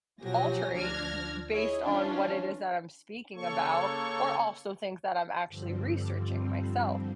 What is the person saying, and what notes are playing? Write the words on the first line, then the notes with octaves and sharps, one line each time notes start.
d alterate b based on what it is that I'm speaking about, or also, things that I'm actually researching myself,
B2 F3 F#3 G4 G#5 A#6
D2 F3 D4 F6 G#6 A#6
E4 G#4 C#5 D#5
E3 C#4 D4 F4
C#3 A#3 A4 C#5 C#6
G2 D3 F3 G3 C4